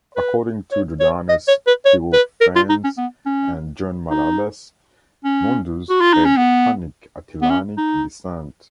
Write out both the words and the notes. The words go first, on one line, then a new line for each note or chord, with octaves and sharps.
According to Jordanes, Theophanes and John Malalas, Mundus had Hunnic Attilanic descent.
B4
C#5
C#5
D#5
C#5
B4
C#5
B4
A#4
F4
D#4
C#4
B3
C#4
D#4
C#4
F#4
F4
D#4
C#4
B3
B3
C#4
D#4